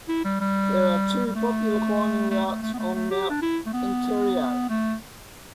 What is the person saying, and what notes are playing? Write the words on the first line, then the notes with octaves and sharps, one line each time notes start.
There are two popular climbing routes on Mount Antero.
E4
G3
G3
G3
A3
A3
A3
A3
B3
A3
A3
G4
D4
E4
A3
B3
A3